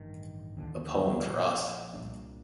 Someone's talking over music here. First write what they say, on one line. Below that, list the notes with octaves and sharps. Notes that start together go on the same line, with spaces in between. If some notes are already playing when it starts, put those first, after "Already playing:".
A poem for us.
Already playing: A1 G2 D#3
D#2 D3 F3
A#1 A#2 F3
C2 A#2 G3 D4